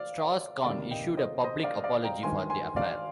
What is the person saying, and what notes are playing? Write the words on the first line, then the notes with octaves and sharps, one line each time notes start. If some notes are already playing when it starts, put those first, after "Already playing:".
Strauss-Kahn issued a public apology for the affair.
Already playing: D5 F5
D5 F5
D2 C3 D#3 A#3 D5 F5
D#5 G5
C5 D#5
C5 D#5
D5 F5
D5 F5
G5 A#5
G#1 G2 D#3 G#5 C6
G#5 C6
D5 F5